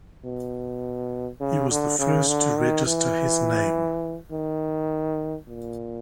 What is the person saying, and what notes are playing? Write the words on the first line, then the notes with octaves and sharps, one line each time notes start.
He was the first to register his name.
B2
C#3
D3
C#3
D3
D#3
E3
D#3
A#2